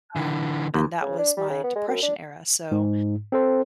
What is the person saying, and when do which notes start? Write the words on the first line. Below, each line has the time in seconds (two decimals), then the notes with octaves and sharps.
Um, and that was my depression era, so,
0.16 D3 E3
0.74 D#2
1.02 C#3
1.19 D4
1.37 G3
1.50 C#3
1.63 B3
1.75 G#3
1.88 F#2
2.03 D4
2.72 G#2
3.32 C4 A4 C5